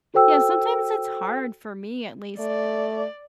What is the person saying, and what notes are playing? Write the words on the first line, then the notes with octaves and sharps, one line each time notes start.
Yeah, sometimes it's hard, for me, at least,
F#4 A4 C5 G5 E6
A3 D5